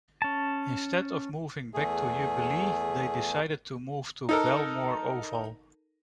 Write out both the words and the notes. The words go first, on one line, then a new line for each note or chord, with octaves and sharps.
Instead of moving back to Jubilee they decided to move to Belmore Oval.
C#4 A5
E2 A3 G#4
D#4 A4 A#4